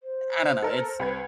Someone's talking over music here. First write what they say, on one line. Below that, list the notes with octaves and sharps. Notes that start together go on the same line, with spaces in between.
I don't know. It's
C5
A4 A#4
C2 B4 G#6